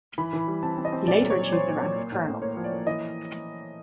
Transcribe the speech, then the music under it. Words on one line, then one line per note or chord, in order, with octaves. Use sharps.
He later achieved the rank of Colonel.
E3 B5
E3
G3
C4 A5
C4
D#5
C4
A#2 D5
F#3
C#5
F#3
F#3 C5
A#2
F#3
A#3
A2
A2
A#3 C#5
F3
D5
A#3
E3 D#5